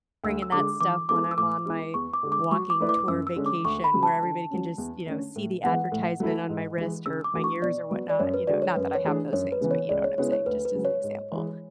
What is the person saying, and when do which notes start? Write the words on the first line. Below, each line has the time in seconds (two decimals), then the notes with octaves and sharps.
bringing that stuff when I'm on my walking tour vacation where everybody can just, you know, see the advertisement on my wrist or my ears or whatnot, you know? Not that I have those things, but you know what I'm saying, just as an example,
0.24 D2 E6
0.42 E6
0.52 D3 G#3 D6
0.81 E3 D6
1.09 G#3 B3 E4 A4 D6
1.31 E6
1.37 A2 D6
1.66 G#3 B3 E4
1.94 E2 C#6
2.14 D6
2.23 D3 G#3
2.32 D6
2.51 F#3 C#6
2.70 D6
2.80 A3 E4 B4 D5
2.89 D6
3.08 F#2 E6
3.27 E6
3.36 D3 G#3 C#4
3.46 D6
3.65 D2 C#6
3.84 B5
3.94 C#3 F#3
4.03 A5
4.22 D3
4.51 F#3 C#4
4.78 E2
5.07 D3 A3 C#4
5.36 A2
5.64 E3 G#3 B3 F#5
5.92 A2
6.20 F#3 A3 E4 A4
6.49 G#2
6.78 E3 G#3
7.06 C#3 E6
7.24 D6
7.34 E3 A3 D4 F#4
7.44 C#6
7.62 B2 D5
7.91 F#3 B3
8.10 D5
8.19 F#2 C#5
8.34 B4
8.47 D3 G#3 D4 F#4 D5
8.62 C#5
8.76 F#2 B4
8.95 C#5
9.05 E3 A3 D4 G#4
9.33 F#2 C#5
9.52 B4
9.61 C#3 E3 B3
9.71 C#5
9.89 C#2 D5
10.04 C#5
10.18 C#3 G#3 B3 E4 C#5
10.32 C#5
10.46 D2 B4
10.65 B4
10.75 C#3 F#3
10.85 C#5
11.04 G#2
11.32 E3 G#3